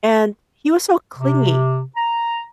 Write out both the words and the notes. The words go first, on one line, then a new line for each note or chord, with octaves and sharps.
and he was so clingy.
C3
A#5